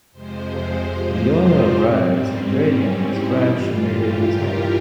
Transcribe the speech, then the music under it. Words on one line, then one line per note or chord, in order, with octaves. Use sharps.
Viola arrives and Radium is glad she made it in time.
F2 C3 F3 G#3 C5
F4
C4
G#2 G3 C4
C#4
E4
G2 E3 G3 F4
G4
A#4